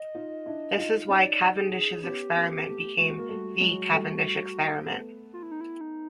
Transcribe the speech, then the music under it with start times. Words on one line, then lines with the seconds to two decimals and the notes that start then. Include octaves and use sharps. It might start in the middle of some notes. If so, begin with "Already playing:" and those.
This is why Cavendish's experiment became "the" Cavendish experiment.
Already playing: D#5
0.15 D#4 F4
0.46 D4 E4
0.77 D#4 F4
1.08 C#4 D#4 D5
1.56 G#4
2.03 B3 C#4 G4
2.35 A#3 C4
2.50 G4
2.56 A#3
2.66 A3 B3
2.97 G#3 A#3 F#4
3.18 A#3
3.29 G3 A3
3.60 F#3 G#3
3.92 G3 A3
4.87 A3 B3
5.33 F4
5.43 E4
5.51 D#4
5.61 E4
5.81 D#4